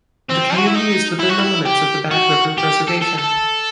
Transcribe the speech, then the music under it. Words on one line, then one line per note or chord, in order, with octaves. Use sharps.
The community is within the limits of the Bad River Reservation.
C4
F#4
E4
D#4
E4
F#4
E4
G4
F#4
G4
A4
A4
A4